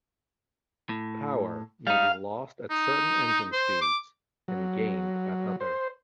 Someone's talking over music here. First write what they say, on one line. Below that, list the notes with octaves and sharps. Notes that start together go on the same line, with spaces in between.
Power may be lost at certain engine speeds and gained at others.
A2
G3 D#4 F5
D#4
C5
D6
F#3
C5